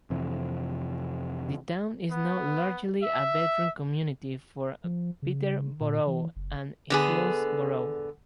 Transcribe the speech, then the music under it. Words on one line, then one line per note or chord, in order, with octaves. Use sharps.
The town is now largely a bedroom community for Peterborough and Hillsborough.
F2 C3 E3
B3
E5
F3
C#3
A#2
E3
F#1
D3 B3 G#4